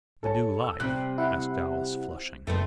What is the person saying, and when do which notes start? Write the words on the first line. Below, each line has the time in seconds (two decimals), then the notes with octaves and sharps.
"The new life?" asked Alice, flushing.
0.23 A4 C#5 A5
0.64 E6
0.80 C3 G3 C4 F#6
1.18 E4 F#5
2.47 F#1 A3 B3 C4